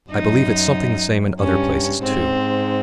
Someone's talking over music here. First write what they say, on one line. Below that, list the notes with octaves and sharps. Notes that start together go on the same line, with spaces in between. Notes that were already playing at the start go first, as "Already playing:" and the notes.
I believe it's something the same in other places too.
F#2 D#4
G2 C#4
G#2 C4